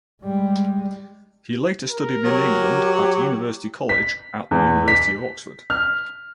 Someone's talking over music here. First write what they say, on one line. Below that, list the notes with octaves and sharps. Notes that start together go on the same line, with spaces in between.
He later studied in England at University College at the University of Oxford.
G3 G#3
A#4
F#3 G4
B6
E2
B6
F6